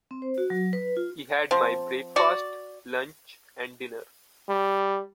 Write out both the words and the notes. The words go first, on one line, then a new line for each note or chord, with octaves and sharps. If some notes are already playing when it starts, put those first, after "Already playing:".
He had my breakfast, lunch and dinner.
C4
C5
F#4
F#3
B4
F4
F3 C4
F#4 D5
G3